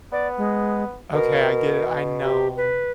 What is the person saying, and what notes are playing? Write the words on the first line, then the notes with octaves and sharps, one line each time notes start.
"Okay, I get it, I know.
B3 D5
G#3
B2 A#4
G4
B4